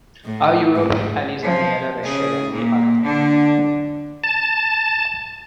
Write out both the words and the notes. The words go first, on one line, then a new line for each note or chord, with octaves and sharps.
Our European allies are nearer Russia than we are.
A2
G#2
F3
C#3 G#4
A#2 A#3
D3 D4
A5